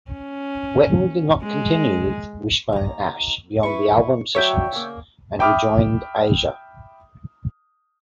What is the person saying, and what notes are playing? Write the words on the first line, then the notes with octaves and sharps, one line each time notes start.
Wetton did not continue with Wishbone Ash beyond the album sessions and rejoined Asia.
C#4
G#3
D#2 A#5
E4 B4 C#6
D2 F#3 D4 C#5 E5 G5
C#3 A#3
E5 G5 B5 D6 D#6 F6